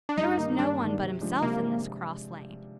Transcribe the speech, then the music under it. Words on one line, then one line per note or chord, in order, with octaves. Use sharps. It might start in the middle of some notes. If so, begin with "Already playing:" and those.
There was no one but himself in this cross-lane.
D4
G2 D#4
D#3 A#3
G2 D4
D#3 A#3
C3
F3 G#3 D4
C3 A#3